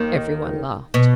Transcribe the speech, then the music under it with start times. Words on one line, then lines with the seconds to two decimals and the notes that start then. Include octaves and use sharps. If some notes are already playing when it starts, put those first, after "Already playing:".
Everyone laughed.
Already playing: D#2 D#3
0.94 B2